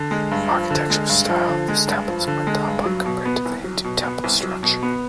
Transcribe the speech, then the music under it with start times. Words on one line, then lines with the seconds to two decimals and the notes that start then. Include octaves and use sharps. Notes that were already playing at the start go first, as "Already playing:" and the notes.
The Architecture style of this temple is Mandapa compared to the Hindu temple structure.
Already playing: D3
0.11 G#3
0.31 G2
0.51 F3
0.70 D3
0.90 G#3
1.09 G2
1.29 F3
1.49 D3
1.68 G#3
1.87 G2
2.08 F3
2.27 D3
2.47 G#3
2.67 G2
2.86 F#3
3.06 B2
3.25 B3
3.46 C2
3.64 F#3
3.84 B2
4.04 B3
4.24 C2
4.43 F#3
4.63 B2
4.83 B3